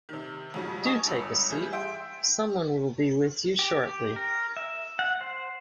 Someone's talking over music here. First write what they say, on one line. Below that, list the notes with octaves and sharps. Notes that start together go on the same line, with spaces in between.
Do take a seat. Someone will be with you shortly.
C3 D#3
F2 G#2 C#3 F#3 G3
D#5 G#5 A5 C#6 D#6 A6
G1 C#2 B5 E6
E3 G3 G#4 G6
E5 G5 C6 G6 D7
G4
G4
A#4
E5
F#5
C5